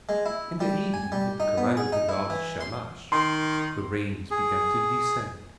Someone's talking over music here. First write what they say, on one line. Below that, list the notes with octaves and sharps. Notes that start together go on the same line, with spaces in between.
In the evening at the command of the god Shamash the rains began to descend.
G#3
E4
G3
G#5
G3
D#4
B3
G#4
D#4
E4
E3
C6
D#3 C6
G#4